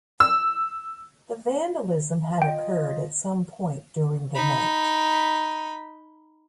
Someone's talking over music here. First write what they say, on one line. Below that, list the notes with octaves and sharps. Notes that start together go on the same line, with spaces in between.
The vandalism had occurred at some point during the night.
E6
F4 D#5 G5
D#4 B5